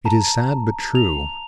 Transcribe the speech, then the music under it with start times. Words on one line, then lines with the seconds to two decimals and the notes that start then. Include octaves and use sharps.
It is sad but true.
0.05 A5 A#5
0.95 F7